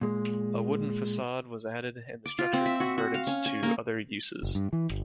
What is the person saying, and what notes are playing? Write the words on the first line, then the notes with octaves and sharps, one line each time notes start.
A wooden facade was added and the structure converted to other uses.
A#2 G#3
D6
F4
C4
E5
F#4
F#4
F5
C#4
G#5
A#3
F#1
G2
E3
G1